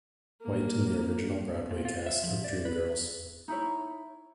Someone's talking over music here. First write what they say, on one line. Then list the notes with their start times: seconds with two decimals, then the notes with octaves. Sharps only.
White in the original Broadway cast of "Dreamgirls".
0.41 A#3
1.71 A#2
1.85 F4
2.06 E5
2.23 F3
2.44 D5
2.65 B4
3.48 D#4 E4 C#5